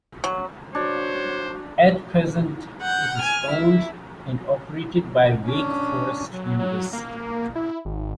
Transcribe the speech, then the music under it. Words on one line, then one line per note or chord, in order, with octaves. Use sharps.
At present, it is owned and operated by Wake Forest University.
F#3
D4 F#4 C5 C#5
F#5 G6
G#5 F6
E4
C#4 D4
F#3
F#3
A#3
E4
G#1